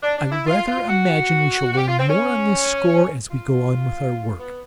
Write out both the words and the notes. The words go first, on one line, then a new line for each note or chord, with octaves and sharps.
I rather imagine we shall learn more on this score as we go on with our work.
D4
D4
E4
F4
F4
F#4
F#4
G4
F4
C4
C#4
F4
B3